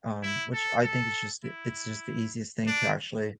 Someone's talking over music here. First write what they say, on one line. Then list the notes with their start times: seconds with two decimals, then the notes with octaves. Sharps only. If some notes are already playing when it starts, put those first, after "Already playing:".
um, which I think it's just the it's just the easiest thing to actually,
0.23 E4
0.53 A4
0.84 A4
1.45 E4
2.67 D4